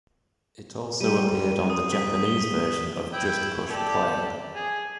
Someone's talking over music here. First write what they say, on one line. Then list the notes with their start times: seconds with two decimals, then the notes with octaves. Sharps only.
It also appeared on the Japanese version of "Just Push Play".
1.01 G3 G4 D#7
1.70 D#6
1.93 G2 B6
2.25 G7
3.13 E4 G5
3.70 G4 A4 D5
4.56 G#4